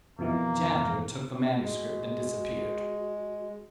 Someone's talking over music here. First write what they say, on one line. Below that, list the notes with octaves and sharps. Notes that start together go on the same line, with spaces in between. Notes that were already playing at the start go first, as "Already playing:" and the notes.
The janitor took the manuscript and disappeared.
F2 B2 E3 A#3
G#3 F#4